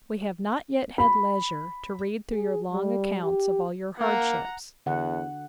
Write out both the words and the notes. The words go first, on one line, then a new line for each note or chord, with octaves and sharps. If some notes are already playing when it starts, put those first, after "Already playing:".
We have not yet had leisure to read through your long accounts of all your hardships.
B5
G#4
G3
G4
A#3 F#5 A#5
E2 D3 F#5